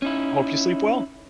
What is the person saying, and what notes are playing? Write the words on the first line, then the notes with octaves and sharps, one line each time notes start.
hope you sleep well.
C#4 D#4 E4